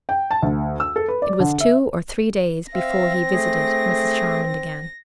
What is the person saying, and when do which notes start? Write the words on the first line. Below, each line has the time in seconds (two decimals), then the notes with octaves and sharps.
It was two or three days before he visited Mrs. Charmond again.
0.09 G5
0.31 A5
0.42 D2
0.80 E6
0.96 A4
1.08 B4
1.22 D5
1.40 D3
1.61 E5
2.74 C4 E5 F5 A#6
3.32 A3 G#4